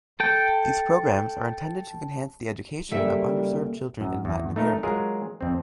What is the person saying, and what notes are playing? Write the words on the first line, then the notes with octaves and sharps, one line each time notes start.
These programs are intended to enhance the education of underserved children in Latin America.
A4 G5
C#3 G3 A#3 A4 A#4 E5
F#2
E2
A3 D#4 A#4 B4
F#3 G#3 F4 G#4 A#4
F2 C4